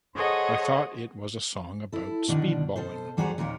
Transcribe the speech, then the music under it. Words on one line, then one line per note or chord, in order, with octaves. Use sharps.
I thought it was a song about speedballing.
G#4 A4 C5 C#5 D#5 F#5
E4 A4
B2 D3 D#3 D4
B2 A4 C5
E2 G3 F#4 G#4 C5 A#5
D#2 A#2 D#3 G3 A#3